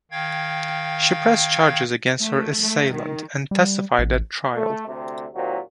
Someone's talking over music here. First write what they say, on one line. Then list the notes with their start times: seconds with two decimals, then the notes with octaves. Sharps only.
She pressed charges against her assailant and testified at trial.
0.11 D#3 F5 G5 G#6
2.20 A3
2.62 A3
2.91 D#3
3.51 G3
3.98 A1
4.55 A3
4.87 D2 C3
5.34 D#2 A#2 F#3 C4